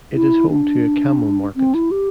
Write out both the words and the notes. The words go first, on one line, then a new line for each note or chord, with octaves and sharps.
It is home to a camel market.
E4
D4
C4
E4
G4